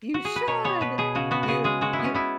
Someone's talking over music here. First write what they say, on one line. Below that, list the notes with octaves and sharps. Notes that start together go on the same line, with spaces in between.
you should! you you
F#4
G#4
B4
B2 C#5
B3 C#5
B2 B4
B2 G#4
C#3 F#4
B3 F#4
F#4
C#3 G#4
G#3 G#4
G#3 F#4
E4
B3
C#4
B3 E4